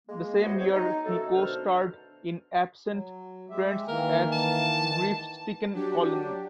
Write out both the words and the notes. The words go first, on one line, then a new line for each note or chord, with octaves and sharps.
The same year he co-starred in Absent Friends as grief-stricken Colin.
G#3 A#3
B3 E4 F#4 C5 C#5 D#5
C4 C#5
D#4
F#2 D#3 A3 F#4 A4
B2 D3 D4 C5 F6
F#3
G#3 G4 E5
D#3 E3 A#3 A#4
A5
F#3 D4 G4